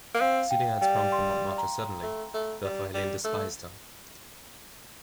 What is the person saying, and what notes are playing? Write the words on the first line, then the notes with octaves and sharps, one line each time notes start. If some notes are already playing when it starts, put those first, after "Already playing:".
Celia had sprung from Montmartre suddenly; therefore Helene despised her.
A#3
C4 F5
G5
G3 G5
C6
A#5
A3
A3
G3
G3
A3